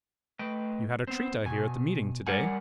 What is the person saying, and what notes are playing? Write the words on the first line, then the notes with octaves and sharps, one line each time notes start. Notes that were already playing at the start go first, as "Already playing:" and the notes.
"You had a treat, I hear, at the meeting to-day?"
A3 B4 D#5 G5
B3 C4
B2 G#5
G3 A#4 D5 F#5 G#5